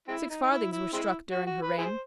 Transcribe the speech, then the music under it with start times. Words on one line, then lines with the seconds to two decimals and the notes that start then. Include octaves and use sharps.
Six farthings were struck during her reign.
0.08 G#3 C4 E4
0.30 D#4
0.43 D#4
0.51 E4
0.72 E4
0.93 G#3 C4 E4
1.31 F#4
1.47 F#4
1.62 B4
1.78 E4 G#4 C5